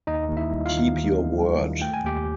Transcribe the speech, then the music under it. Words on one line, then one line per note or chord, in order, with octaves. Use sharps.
Keep your word.
D#2 D#4 D#5
D#2
E4 E5
G3
F4 F5
D#3
D#2
D#2
G3
D#3
A3 G5
G#5
D#2 G4 G5